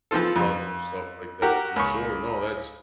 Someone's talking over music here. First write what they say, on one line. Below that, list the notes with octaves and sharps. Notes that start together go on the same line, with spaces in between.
level and stuff like that, for sure. No, that's
E3 F3 C4 F4 A4
F2
F#4 G4 A#4
C#2 C#6